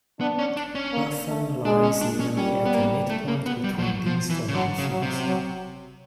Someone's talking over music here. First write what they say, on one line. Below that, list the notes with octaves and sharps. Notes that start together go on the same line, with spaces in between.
Buffon lies nearly at the midpoint between these formations.
B3 D4
C#4
D4
C#4
A#3
A3
G#3 D4
C#4
D4
C#4
G3 C#4
B3
A#3
A3
A#3
B3
G3
F3
F#3
F3
E3
C#3
D3 F#3
C#3
F#3
C3
F#3